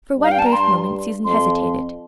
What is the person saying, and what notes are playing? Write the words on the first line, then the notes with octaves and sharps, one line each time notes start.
For one brief moment Susan hesitated.
G2
F5
G5
A5
A#5
G2 C6
F2 C6